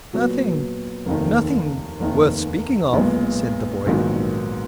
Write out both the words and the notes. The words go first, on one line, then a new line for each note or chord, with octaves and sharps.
"Nothing--nothing worth speaking of," said the boy.
A#2 F#3 B3
F1 D#2 D#3
F1 D#2 D#3
B1 A#2 G#3 B3
A#1 G#2 D#3 F#3 B3